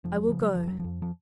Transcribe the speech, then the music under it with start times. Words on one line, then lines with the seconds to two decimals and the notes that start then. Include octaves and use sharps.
I will go.
0.04 F1 F3
0.16 F#3
0.29 C#3 F3
0.42 F#3
0.54 F1 F3
0.67 F#3
0.80 F2 F3
1.02 F3